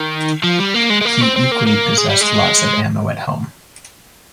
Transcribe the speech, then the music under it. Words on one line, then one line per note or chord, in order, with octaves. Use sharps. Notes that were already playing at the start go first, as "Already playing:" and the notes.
He equally possessed lots of ammo at home.
Already playing: D#3
F3
G3
A#3
G#3
G#3
A#3
C4
C4
A#3
A#3
G#3
G3
G#3